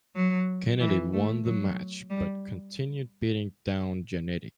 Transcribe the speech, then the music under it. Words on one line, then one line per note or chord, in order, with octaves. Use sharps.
Kennedy won the match, but continued beating down Jannetty.
F#3
E3
A3
F#3
G3